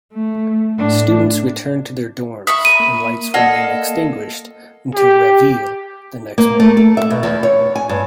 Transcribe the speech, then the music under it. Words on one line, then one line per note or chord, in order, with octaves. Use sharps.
Students return to their dorms, and lights remain extinguished until Reveille the next morning.
A3
A2 D4
E5 B5 C#6 D#6
A#5 D#7
A#3
F4 A4 D5 D#5 F#5
G4
A#3
A3
A4
E5
B2
E2
C#5
G#5
G2